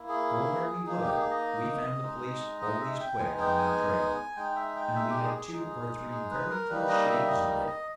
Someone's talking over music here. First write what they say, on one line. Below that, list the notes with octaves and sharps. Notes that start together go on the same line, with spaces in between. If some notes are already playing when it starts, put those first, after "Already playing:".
Go where we would, we found the police always quick on our trail, and we had two or three very close shaves of it.
Already playing: A#3 E4
G#4
A#3 D#4 G#4
G4
G#4
D#5
G#3 D#4
D#5
E5
G5
G#3 B3 D#4 G#5
G5
G#5
G#3 D#4 G5
E5
G5
E5
G4
G#4
G#4
G#3 D#4
G#4
B4
A#4
G3 A#3 D#4 B4
D#5
E5
D#5
D#5